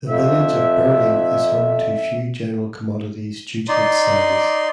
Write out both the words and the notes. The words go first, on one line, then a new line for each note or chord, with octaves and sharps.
The village of Birling is home to few general commodities due to its size.
F2 E5
D#4 D5 C6